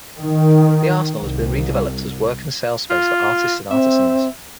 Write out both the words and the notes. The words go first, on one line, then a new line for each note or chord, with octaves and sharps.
The arsenal has been redeveloped as work and sales space for artists and artisans.
D#3
C2
F4
C4 E5